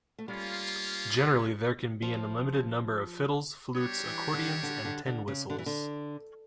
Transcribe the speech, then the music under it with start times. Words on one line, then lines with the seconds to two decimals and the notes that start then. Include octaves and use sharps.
Generally there can be an unlimited number of fiddles, flutes, accordions and tin whistles.
0.19 A3
0.28 G3 A#3 C#4 F4
2.02 F3
3.76 G3 D4 G4 C#5
4.05 E3
4.34 D3
4.63 D3
4.85 D3
5.06 D3
5.28 C#3
5.50 D3
5.58 E3
5.66 D3